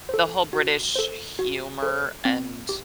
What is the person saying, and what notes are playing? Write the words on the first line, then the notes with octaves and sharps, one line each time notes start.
the whole British humor, and
A4 C5
F#4
A4 C5
F#4
A4 C5
C4
G4